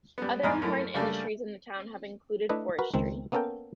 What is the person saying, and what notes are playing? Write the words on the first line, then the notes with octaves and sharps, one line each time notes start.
Other important industries in the town have included forestry.
G3 B3
E2 G#2 D#5 A#5 B5 F6
F#2 A3 E4
C#3 G3 A3 A#3 D4
A3 D4 E4 B4 D#5
F#4 A#4 B4
C#2 D#3 C4
A#3 B3 C#4 A4 A#4 G5